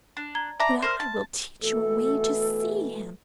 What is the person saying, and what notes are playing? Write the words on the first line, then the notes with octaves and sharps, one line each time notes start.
But I will teach you a way to see him.
D4
A#5 G#6 G7
D5 E5 A5 A#5 D6
A#4 C5 C6 F6
A5
B2 E3 A3 A4